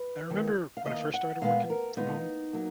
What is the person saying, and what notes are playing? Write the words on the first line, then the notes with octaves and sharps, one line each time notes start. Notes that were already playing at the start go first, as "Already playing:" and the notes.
I remember when I first started working from home
Already playing: B4
D#2 D#3 A#3
F5
D#2 D#3 A#3 D#5
F#5
A#2 G#3 B3 F5
A#4
A#2 G#3 B3 D#4
F#3 A#3